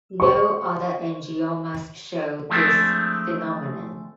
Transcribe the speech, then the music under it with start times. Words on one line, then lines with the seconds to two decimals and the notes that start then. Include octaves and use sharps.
No other angiomas show this phenomenon.
0.20 C5 C#6
2.49 F3 G#3 A3 C4 D4